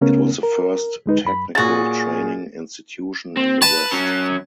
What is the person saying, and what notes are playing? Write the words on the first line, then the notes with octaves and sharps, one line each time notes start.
It was the first technical training institution in the West.
C#2 C#3 A3 B3 C#4 A#4
A#4
D2 G#3 D#4 B4
F#2 B5
A#2 F#3 F#4 G#4 A6
C4
B4 A5
F#3 C#4